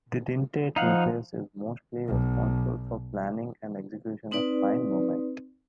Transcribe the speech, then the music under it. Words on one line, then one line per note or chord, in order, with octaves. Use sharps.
The dentate nucleus is mostly responsible for planning and execution of fine movement.
F3 D#4 F5 F#5
B1
C4 D#4 B4 D5